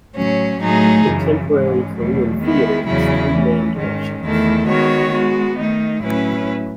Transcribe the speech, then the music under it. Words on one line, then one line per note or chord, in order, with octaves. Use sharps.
Contemporary Korean theatre has three main directions.
A2 F#3 C#4
A2 F#3 A3 D#4 G#4
F#2 C#3 E3
G#2 E3 G#3 C#4
E2 B2 F#3 A3
D#3 G#3 B3 E4
E2 C#3 F#3 C#4 E4
E3 A3 C#4
G#2 D#3 G#3 C#4
E2 D#3 A3 E4 A4
D#3 G#3 B3 F#4 C#5
G#3 B3 F#4
D#3 A3 D#4
A2 F#3 C#4 E4 B4